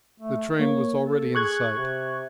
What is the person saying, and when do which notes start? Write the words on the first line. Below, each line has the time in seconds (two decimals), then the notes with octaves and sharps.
The train was already in sight.
0.20 A3
0.59 A#3 C#5
1.05 A4
1.35 G#4 C#6 F#6 G#6
1.76 C3